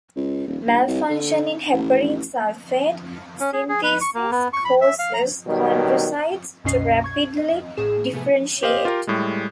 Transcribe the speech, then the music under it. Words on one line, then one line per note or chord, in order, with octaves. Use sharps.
Malfunction in heparin sulfate synthesis causes chondrocytes to rapidly differentiate.
C#2
D#1
G1
C2
D3
A1
C#4
G#4
G#4
B4
C#6
A#3
B3
C#6
B5
E5
F5
A#5
B2 D#3 F#3 G3
C2 F#2 B2 C#4 D#5 C7
C#6 G#6
D#5
A1 A2 G#4 E7
C3 A3 B3 G#4
G4 C5 D#5 F5
F4 G4 A#4 F5
A2 G3 G#3